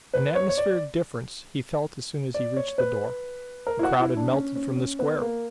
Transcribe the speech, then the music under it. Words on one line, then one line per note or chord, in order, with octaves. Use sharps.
An atmospheric difference he felt as soon as he reached the door. The crowd had melted from the square.
B4
C#5
C#5
D5
D5
C#5
B4
A#4
E4
F#4
E4
D4
C#4
C#4
C#4
B3
A#3